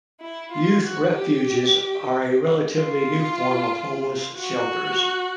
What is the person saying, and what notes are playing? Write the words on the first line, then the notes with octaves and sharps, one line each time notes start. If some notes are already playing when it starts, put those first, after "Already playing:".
Youth refuges are a relatively new form of homeless shelters.
E4
F4
F#4
G4
F4
F#4